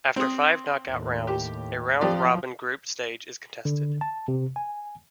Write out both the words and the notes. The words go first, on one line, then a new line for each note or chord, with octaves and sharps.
After five knockout rounds, a round-robin group stage is contested.
C4 D#6
D#2 A2
G4
F2 F3 G4 D5
D3
A5
C3
G#5